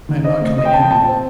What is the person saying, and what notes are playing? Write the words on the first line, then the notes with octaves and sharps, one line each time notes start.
I am not coming in.
D#3
C4 D#5
A3
C3 D#5
G5
A#3 A5
G5
A#2 A5
C4